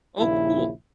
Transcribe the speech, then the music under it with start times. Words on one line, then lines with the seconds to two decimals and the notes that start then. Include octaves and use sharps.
Oh, cool.
0.19 A#1 D#2 A#2 C#3 E4